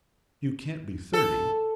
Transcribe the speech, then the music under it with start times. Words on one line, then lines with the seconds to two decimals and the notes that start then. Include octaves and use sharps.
You can't be thirty?'
1.14 A4